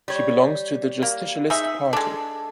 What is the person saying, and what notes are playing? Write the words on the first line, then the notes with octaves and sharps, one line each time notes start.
She belongs to the Justicialist Party.
G3 C#5
A#3
D#4 G#4 E5
G#3 D4 A4